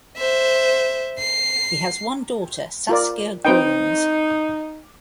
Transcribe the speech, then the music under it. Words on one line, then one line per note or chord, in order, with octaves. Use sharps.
He has one daughter, Saskia Grooms.
C5 E5
C7
F4 A#4 D5
C4 D#4 B4 G5